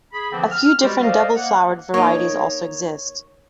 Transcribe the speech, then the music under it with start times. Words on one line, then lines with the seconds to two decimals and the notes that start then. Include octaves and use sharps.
A few different double-flowered varieties also exist.
0.13 G#4 B5
0.32 D3 E3 F3 A#3 C4
0.52 F6
0.81 G3 G#3 F#4 G4
1.01 C5 D5 D#5 F5
1.35 A#3 F#5
1.94 A#3 D#4 C#5